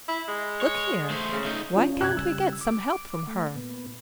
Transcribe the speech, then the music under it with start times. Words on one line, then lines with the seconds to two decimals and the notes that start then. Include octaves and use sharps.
"Look here, why can't we get some help from her?"
0.08 E4
0.28 G#3
0.61 C#5
1.10 A3 C5
1.32 C#3
1.45 A3 D#4
1.76 F3 C#4
2.01 F#2 C3 F#6 G#6
2.17 C#3 G3 E6
2.61 D6
3.27 A3
3.55 A#2 B3